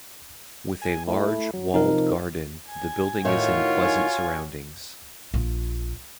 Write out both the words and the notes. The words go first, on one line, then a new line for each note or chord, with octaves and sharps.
With a large, walled garden, the building is in pleasant surroundings.
G#5
A3 E4
F#3
C3 F3 D#4 A#4
G#5
A2 D#3 F4 F#4 C#5
G#5
A#1 F4